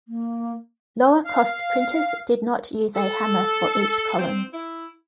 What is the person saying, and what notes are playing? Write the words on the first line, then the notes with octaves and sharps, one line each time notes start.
Lower-cost printers did not use a hammer for each column.
A#3
F5
A4
C4
E4